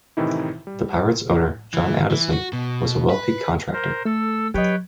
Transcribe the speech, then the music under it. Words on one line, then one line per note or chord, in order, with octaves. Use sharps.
The Pirate's owner, John Addison, was a wealthy contractor.
A2 C3 D#3 E3 D#4 E4
G3
E3
E3
F#4
B2
B4
A#4 C5
A3 A4 E6
F#3 G4 B4 C#5 D#5 G5